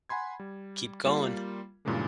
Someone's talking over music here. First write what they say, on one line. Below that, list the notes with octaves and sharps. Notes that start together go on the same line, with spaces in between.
Keep going.
F#5 G#5 B5 C6 G#6
G3
G3 A#3 F4
G2 A#2 C#3 E3 G#3 A#3